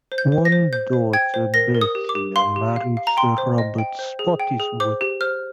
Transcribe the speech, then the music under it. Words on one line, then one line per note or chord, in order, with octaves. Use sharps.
One daughter Bethia married Sir Robert Spottiswoode.
C5
G6
C5
A#6
C5
C5 G6
C5
G5 G#6
C5
A#4 A#6
A#4
D#6
G4
D6
G4
F5 C6
G4
F5
F5
A#5
G5 C6
C5
D#5
G5
C5
G#4
G5
G#4
C5 D6
G4
C5 F6